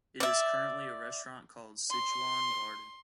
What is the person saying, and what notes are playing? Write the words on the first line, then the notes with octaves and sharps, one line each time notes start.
It is currently a restaurant called Sichuan Garden.
D5 E5
C6